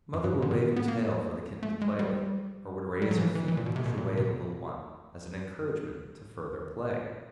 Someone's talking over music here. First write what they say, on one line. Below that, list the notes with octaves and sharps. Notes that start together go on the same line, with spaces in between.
The mother would wave her tail for the kitten to play with, or would raise her feet and push away the little one as an encouragement to further play.
F#2
G2
G#2
D3
D#3
B3
A#3
A3
G#3
G3
G3
F#3
E3
F3
E3
D#3
E3
A#2
B2
C3
B2
A#2
A2
A#2
C3
B2